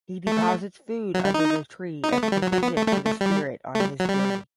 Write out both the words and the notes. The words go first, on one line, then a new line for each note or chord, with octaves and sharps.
He deposits food under the tree as provision for the spirit on his journey.
A3
F#3
G3
D#4
D#4
B3
A3
G3
F#3
F#3
B3
A3
A3
G3
A3
G3
A3
G3
F#3
G3